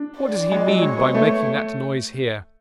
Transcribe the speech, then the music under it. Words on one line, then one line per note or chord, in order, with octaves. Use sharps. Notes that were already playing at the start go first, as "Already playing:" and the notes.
'What does he mean by making that noise here?'
Already playing: D4
D5
G#3
F#3
G#3 C#5
B3
A3